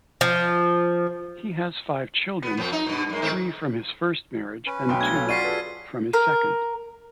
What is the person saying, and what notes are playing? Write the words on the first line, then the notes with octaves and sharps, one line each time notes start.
He has five children, three from his first marriage and two from his second.
F3
B3
F2 C4
D#4
G2 B2
F#2 G#3
G#2 D#3 C4
C#4 B4
B1 C#5 G5 C6
A3 D4 G#6 G7
A4 C#5 F5
F4 F#4 D5 C#6 B6 C7 D#7
G#4 A4 B4
A#4